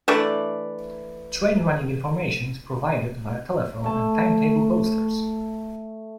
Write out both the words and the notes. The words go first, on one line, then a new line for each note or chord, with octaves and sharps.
Train running information is provided via telephone and timetable posters.
E3 A3 D4 D5
A3 A5